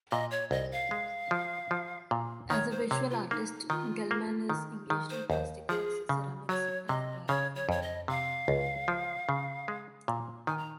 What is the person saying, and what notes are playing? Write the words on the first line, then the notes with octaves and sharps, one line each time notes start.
As a visual artist Geldman is engaged in plastic arts, ceramics and photography.
A#2 D#5
C#5
C2 D#5
F5
G#3
F3
F3
A#2
D#3 C#5
C5
C3 C#5
F4
A#3 D#4
D#3 F4
A#3
D#3
D#3
C5
D#2 C5
F3 G#4
C#3
F#3 C#5
C3 D#5
C#3 C#5
C#5
F2 C#5
D#5
C3 F5
C#2
F3
C#3
G#3
A#2
D#3 G#5
A#5